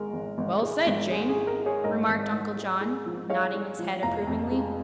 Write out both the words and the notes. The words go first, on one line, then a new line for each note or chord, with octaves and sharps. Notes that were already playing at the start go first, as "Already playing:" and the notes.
"Well said, Jane," remarked Uncle John, nodding his head approvingly.
Already playing: G#1 G#3 A#4
G#1
G#1
G#3
G#1
G#2 G#4
G#4
G#3
A#4
G#3
G#4 C#5
G#2 A#4 D#5
G#1
G#2
G#3
G#3
F3
G#3 C#5 F5
G#3
F3
F1 F5 A#5
F2
G#3